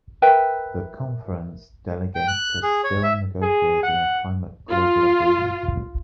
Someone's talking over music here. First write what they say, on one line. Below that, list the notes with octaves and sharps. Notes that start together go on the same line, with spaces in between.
The conference delegates are still negotiating a climate global agreement.
A#4 B4 E5 G5
G5
F#6
G#4
C#5
E5
G#4
F#5
F4